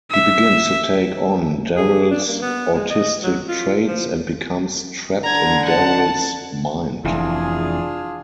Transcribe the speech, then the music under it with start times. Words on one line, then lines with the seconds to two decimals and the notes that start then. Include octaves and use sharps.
He begins to take on Darryl's autistic traits and becomes trapped in Darryl's mind.
0.12 E5
1.76 G#4
2.11 D4
2.27 A#3
2.42 B3
2.74 G#3
2.90 D#5
3.23 F#3
3.48 F4
3.87 F3
5.23 D3 A#5 G#6
5.66 F#5 A5
7.05 F1 E3 D4 F4 G#4